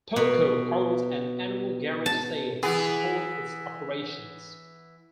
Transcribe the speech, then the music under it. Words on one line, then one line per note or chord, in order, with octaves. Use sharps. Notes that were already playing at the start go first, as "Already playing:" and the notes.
PoeCo holds an annual garage sale to support its operations.
B2
A5
E3 B3 G#4